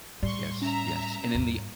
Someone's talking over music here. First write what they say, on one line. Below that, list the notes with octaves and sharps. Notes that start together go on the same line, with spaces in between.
Yes, yes. And in the
A2 G3 D5 C6 C#6
C#4 E5 A#5
D#2 G#2 G3